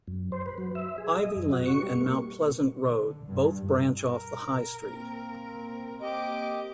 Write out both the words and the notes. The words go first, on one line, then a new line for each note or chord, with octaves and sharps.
Ivy Lane and Mount Pleasant Road both branch off the High Street.
F#2
C5
B4
F#3
E5
G#4
D#5
F#2
F#4
C#6
G3
A#3
D3
G2
A#4
A#3 C4
G4 D#5 D6